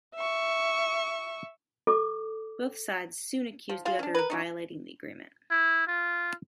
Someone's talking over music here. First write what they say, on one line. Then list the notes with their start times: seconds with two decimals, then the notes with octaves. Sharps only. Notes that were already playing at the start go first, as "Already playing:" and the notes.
Both sides soon accused the other of violating the agreement.
0.15 E5 C#6
1.87 A4 D6
3.70 F3
3.85 F4 G#4 F5
3.99 C#4 D4
4.15 A#4 B4
4.30 F#3 C#4 D#4
5.51 E4
5.87 F4